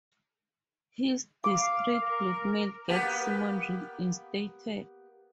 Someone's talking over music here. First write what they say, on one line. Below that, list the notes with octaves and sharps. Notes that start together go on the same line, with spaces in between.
His discreet blackmail gets Simon reinstated.
F5 D6
A#4
A#3 B3 G4